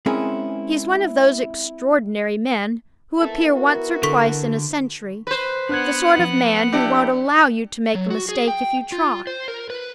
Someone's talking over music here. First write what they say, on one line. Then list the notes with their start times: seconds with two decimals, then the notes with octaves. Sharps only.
He's one of those extraordinary men who appear once or twice in a century--the sort of man who won't allow you to make a mistake if you try.
0.06 G#3 C4 C#4 E4 G#4 A#4
3.20 B3 E4 A4 A#4 E5
3.55 F#4
4.03 D3 A4 C#6 B6
5.27 B4 C5
5.69 B3 D4 F#5 F#6 G#6
6.19 F3
6.72 D4 E4 G4
7.95 F#3
8.10 F#4
8.29 G#4
8.48 G5
8.92 F4
9.27 C5
9.48 A#4
9.70 B4